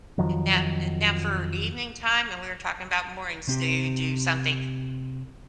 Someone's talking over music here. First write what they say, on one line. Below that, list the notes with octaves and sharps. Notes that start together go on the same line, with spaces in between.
Now, eh, now for evening time, and we were talking about mornings, do you do something
F2 D#3 F3 F#3
C3 C4 G4